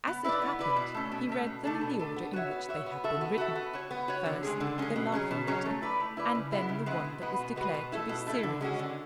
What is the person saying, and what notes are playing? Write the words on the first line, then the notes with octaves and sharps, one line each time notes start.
As it happened he read them in the order in which they had been written, first the laughing letter, and then the one that was declared to be serious.
B3
E4 B4 D5
B3
E4 B4 D5
B2
A3 C#4
B2
A3 C#4
B2
A3 D4 A4
B2
A3 D4 A4
B3
F#4 C#5 E5
B3
F#4 C#5 E5
B3
F#4 A4 E5
B3
F#4 A4 E5
B3
F#4 C#5
B3
F#4 C#5
D3
G#3 C#4 G#4
D3
G#3 C#4 G#4
B2
F#3 C#4 G#4 C#5
B2
F#3 C#4 G#4 C#5
A3
E4 B4 D5
A3
E4 B4 D5
C#3
G#3 B3 E4
C#3
G#3 B3 E4
B2
G#3 B3 F#4 B4
B2
G#3 B3 F#4 B4
B2
A3 E4 A4
B2
A3 E4 A4
D3
G#3 C#4 F#4
D3